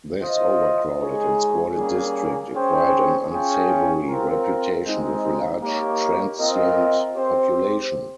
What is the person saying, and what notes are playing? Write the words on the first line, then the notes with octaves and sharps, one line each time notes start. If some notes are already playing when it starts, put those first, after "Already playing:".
This overcrowded and squalid district acquired an unsavoury reputation with a large transient population.
F4 C5 D#5
G#3 D#4 G#4 C#5
G3 A#3 C#4 G#4
C#4 G#4 C5 G5
C#4 F4 G#4 C#5 G5
C4 F4 A#4
G#3 C4 D#4
A#3 D#4 G4 A#4 C#5
C4 F4 A#4 D#5
C4 G4 C5